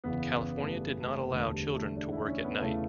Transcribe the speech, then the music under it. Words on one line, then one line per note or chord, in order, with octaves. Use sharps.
California did not allow children to work at night.
F#1 E2 C#3 E3 B3
A3
G3
G3
A3
B3
E1 D2 D3 A3
A3
G3
A3
D4
E4
C#4
B3
E1 E2 C#3 E3 A3